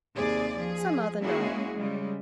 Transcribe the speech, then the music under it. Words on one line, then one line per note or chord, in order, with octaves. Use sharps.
"Some other night."
D#2 C3 G#4 D5
F3 G#4
G#3 A#3 C#4 E4 F#4 G#4
C#3 G3 G#3